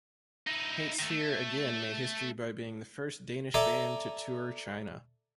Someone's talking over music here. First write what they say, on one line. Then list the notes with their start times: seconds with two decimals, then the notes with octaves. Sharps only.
HateSphere again made history by being the first Danish band to tour China.
0.47 D#4 E4
0.99 D#3 A3
1.10 A3
3.54 A4 D5 E5 G#5 A#5